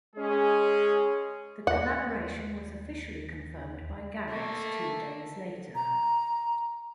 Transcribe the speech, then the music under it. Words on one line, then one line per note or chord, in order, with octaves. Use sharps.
The collaboration was officially confirmed by Garrix two days later.
G#3 C#4 G#4
D#2 F#5
A3 A#3
A#5